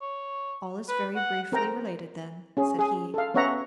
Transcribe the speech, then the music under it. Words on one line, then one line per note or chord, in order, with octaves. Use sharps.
"All is very briefly related, then," said he.
C#5
B4
F#5
C4 A#4 G5 A#5
C#4 G#4
G#4
A4 F5
B3 C#4 C#5 E5 F#5 A#5